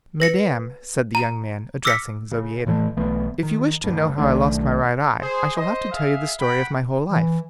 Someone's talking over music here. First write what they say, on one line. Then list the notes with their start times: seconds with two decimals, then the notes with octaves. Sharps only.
"Madam," said the young man, addressing Zobeida, "if you wish to know how I lost my right eye, I shall have to tell you the story of my whole life."
0.20 B4 A#6 C#7
1.15 A#5
1.85 D6 E6 F6 A#6 B6 C#7
2.32 C#3
2.67 A2 E3 A3
2.97 B1 E3 A3 B3
3.43 D#3
3.84 D2 G2
4.18 B1 D#3 A3 D4
5.20 G#4 C5
5.57 C5 D#5
5.91 G#4 E5 F5
6.40 F#5 G5 B5
7.10 E3